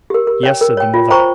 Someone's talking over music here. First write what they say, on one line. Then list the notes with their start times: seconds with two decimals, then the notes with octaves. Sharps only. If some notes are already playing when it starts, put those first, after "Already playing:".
"Yes," said the mother.
0.10 G4 A#4
0.27 A#4
0.43 C#5 G5
0.61 A#4
0.77 C#5 G5
0.94 F4
1.10 C5 G5 A#5 C#6